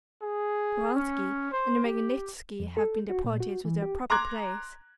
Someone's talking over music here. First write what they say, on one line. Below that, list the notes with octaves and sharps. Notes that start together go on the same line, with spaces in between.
Speranski and Magnitski have been deported to their proper place.
G#4
C#4
C5
G4
F2
A4
F#4
A#2
F#4
E3
G4
A#5 C6 D6 F#6 G#6